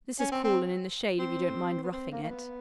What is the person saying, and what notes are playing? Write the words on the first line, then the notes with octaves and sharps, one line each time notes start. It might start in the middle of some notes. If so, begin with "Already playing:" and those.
This is cool and in the shade, if you don't mind roughing it.'
C#4
C4
C4
C4
B3
C4
A#3
A#3
B3